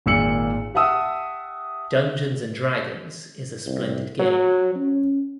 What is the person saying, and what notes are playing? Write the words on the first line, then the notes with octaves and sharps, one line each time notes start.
Dungeons and Dragons is a splendid game.
G#1 A#2 E6 C#7 F#7
G4 E5 F#5 A5 D#6 E6
C2
F#3
C#4